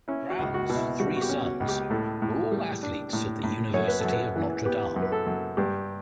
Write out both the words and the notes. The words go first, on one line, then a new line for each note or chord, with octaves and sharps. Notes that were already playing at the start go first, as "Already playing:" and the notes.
Brown's three sons were all athletes at the University of Notre Dame.
C#4 E4
F#4
C#2
F#4
B2
E4
G3 F#4
F#4
G4
C#4
F#4
C#2
G4
A2 A4
A2
G3
D4
A2
A2
F#2 C#5
B4
A4
F#2
B4
E3
B3 G4
F#2
B4
A4
F#2
G2 G4